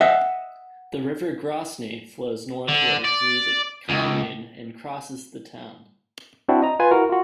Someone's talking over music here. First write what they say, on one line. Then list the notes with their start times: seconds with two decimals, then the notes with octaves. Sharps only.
The river Grosne flows northward through the commune and crosses the town.
0.01 D#5 E5 F#5
2.68 D3
3.04 D5
3.89 C#2
6.49 C4 D4 E4 F#4
6.62 D#5 A#5
6.79 F4 B4 G#5
6.91 E4 F#4 A#4
7.10 F4 F#4